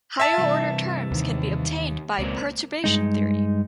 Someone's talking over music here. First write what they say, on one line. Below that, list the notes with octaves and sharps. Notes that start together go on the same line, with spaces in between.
Higher order terms can be obtained by perturbation theory.
E5 A5
C3 E3 G3
D#2 D#3
C#2 A#3 C4 D5
G2 G#3 D#4